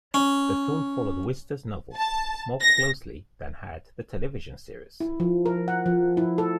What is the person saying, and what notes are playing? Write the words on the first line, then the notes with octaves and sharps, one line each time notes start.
The film followed Wister's novel more closely than had the television series.
C#4
A5
A#6
E4
F3
A#4
F#5
F3
E4
A4